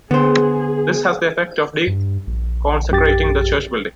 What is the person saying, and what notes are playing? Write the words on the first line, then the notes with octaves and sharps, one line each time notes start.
This has the effect of deconsecrating the church building.
D3 B3 G#4 C5
G2
A#1
F#2 G4 A6